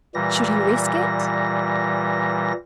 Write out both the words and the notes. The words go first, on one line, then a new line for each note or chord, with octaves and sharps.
Should he risk it?
A#2 E3 G3 A#6